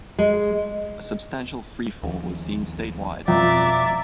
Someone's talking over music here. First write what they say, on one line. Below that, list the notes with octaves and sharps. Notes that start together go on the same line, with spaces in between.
A substantial tree fall was seen statewide from this system.
G#3
D#2 F3
F2 B2 D5 E5 A#5